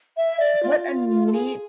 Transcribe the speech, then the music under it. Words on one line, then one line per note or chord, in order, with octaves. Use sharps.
What a neat
E5
D5
F4
F4
F4
A4
G#4